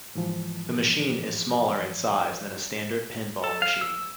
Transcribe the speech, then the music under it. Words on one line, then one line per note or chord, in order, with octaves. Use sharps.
The machine is smaller in size than a standard pinball machine.
G#2 E3 F3
A4
F5
E6